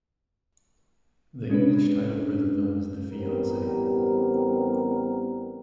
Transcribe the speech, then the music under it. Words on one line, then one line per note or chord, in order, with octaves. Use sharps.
The English title for the film is The Fiancee.
G#3 C#4 D4 B4
A1 G3 B3 C4 G4 A#4